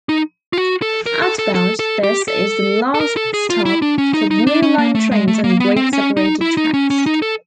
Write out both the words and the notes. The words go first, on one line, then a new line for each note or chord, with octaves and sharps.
Outbound, this is the last stop for Blue Line trains on grade-separated tracks.
D#4
F4
F#4
A4
A#4
A4
A4
A4
A4
G4
A4
A4
A#4
A4
G#4
F4
E4
D4
C#4
D#4
D#4
D4
C#4
A#3
A3
G#3
A3
A#3
B3
C4
C#4
D#4
E4
D#4
C#4
C#4
D#4
A4